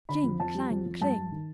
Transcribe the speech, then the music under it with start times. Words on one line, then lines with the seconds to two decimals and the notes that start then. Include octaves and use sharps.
Cling, clang, cling!
0.09 D3 B5
0.24 F2
0.40 F2 A5
0.55 G3
0.71 F2
0.86 F2
1.01 G2 A5
1.17 G2
1.32 D#3